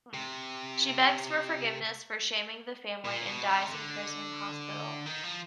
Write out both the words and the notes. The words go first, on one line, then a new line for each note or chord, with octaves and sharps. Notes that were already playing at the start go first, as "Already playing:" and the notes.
She begs for forgiveness for shaming the family, and dies in prison hospital.
C3
A#2
B2
C3
D3
D#3
F3